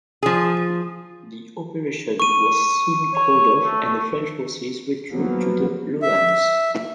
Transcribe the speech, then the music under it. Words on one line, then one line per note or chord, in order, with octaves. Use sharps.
The operation was soon called off and the French forces withdrew to the lowlands.
F3 G#4
C#6 D#7
C#5
A3
F3 F#3 A#3 B3
E5